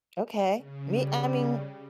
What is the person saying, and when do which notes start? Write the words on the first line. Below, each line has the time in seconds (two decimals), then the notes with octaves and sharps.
Okay. Me I mean,
0.54 C#3
0.96 G3